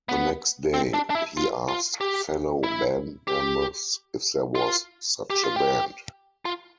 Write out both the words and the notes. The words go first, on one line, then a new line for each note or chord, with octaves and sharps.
The next day, he asked fellow band members if there was such a band.
B3
C4
D4
D4
E4
F4
F4
G4
E4
G4
F4
G4
F4
G4
F4